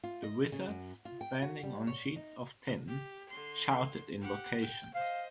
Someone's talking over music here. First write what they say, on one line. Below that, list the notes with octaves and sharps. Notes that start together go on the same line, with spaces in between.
The wizards, standing on sheets of tin, shouted invocations.
F4
D#5
C#3
F#2
F4
G5
F#4
G3
C#5
D#4
G4
D3 C6
G4 F#5
G5
C5 D#5 F5